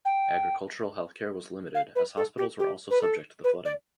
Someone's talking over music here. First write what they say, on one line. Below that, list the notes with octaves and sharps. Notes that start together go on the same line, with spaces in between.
Agricultural Healthcare was limited as hospitals were also subject to the flooding.
G5
F5
B4
A4
G4
G4
B4
A4
B4
D5